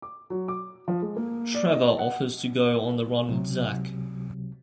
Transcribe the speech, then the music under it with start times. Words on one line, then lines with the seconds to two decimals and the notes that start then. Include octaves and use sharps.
Trevor offers to go on the run with Zach.
0.02 D6
0.30 F#3
0.48 D6
0.88 F3
1.02 G#3
1.16 A#3
1.54 D5
1.75 D#5
1.99 F#5
3.27 C#2 C3 F#3